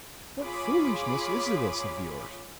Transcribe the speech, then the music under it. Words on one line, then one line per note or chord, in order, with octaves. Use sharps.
"What foolishness is this of yours?"
F4 G#4 C#5 B5 D6